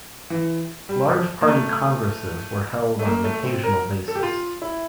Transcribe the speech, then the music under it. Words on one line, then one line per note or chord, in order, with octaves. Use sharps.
Large Party Congresses were held on an occasional basis.
E3
G3
F3
A#3
A3
A3
A#3
A3
C4
A#4
A4
G4
F4
E4